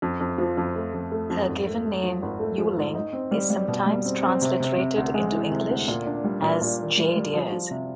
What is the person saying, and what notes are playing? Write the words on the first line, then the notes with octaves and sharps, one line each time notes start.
Her given name "Yuling" is sometimes transliterated into English as "Jade Years".
F2
F2
F3
F2
A3
F2
A3
F2
G#1
A3
A3
F3
G#1
A3
F3
G#2
D#4
C4
G3
G3
B2
G3
C4
C4
C3
C3
C3
D2
G#3
E3
C3
D2
A#2
D4
G3
A#2
A#2
A#3
G3
G3
F3
F3
C3